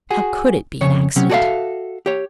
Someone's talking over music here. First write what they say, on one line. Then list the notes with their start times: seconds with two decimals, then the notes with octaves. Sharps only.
How could it be an accident?
0.10 F#4 G#4
0.81 F2 C#3 C#5
1.16 C3 F#3 C#4
1.30 F#4 G#4 A4 D5 E5 F5
2.06 G4 C#5